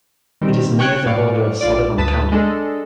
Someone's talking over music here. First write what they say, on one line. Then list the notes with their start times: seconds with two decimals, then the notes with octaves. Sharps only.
It is near the border of Sullivan County.
0.41 D#3 G3 C4
0.79 G5 C#6 F#6 G#6
1.06 A2 F#4 D5 F5 C#6
1.61 A#1 F4 D5
1.97 D2 B4 A5 D#6 B6
2.32 G#3 D4 A4